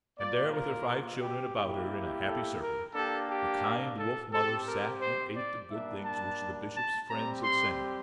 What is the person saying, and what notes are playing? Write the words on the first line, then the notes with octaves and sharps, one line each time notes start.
And there, with her five children about her in a happy circle, the kind wolf-mother sat and ate the good things which the Bishop's friends had sent him.
A#3 F4 D5
A#4
G4
A#3 E4 G4
A4
A#4
A#3 D4 G4 A4
G4
A4
C4 G4 A4
A#4
C5
D5
G3 A#3 D4 E5
A5
A5
G3 C4 G4 A#5
C6